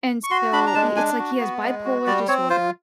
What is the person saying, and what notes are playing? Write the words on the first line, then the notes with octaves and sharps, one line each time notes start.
and so i it's like he has bipolar disorder,
C#6
F#4 C6
D4 B5
A#5
G#3 A5
D4 G#5
F#4
B3
G#3
F#4
G3 D5
C4 C#5
F4 C5